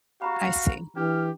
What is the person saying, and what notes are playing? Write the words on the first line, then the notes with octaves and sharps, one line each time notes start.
I see.
F#4 G4 F5 A#5 B5
E3 D4 G4 F6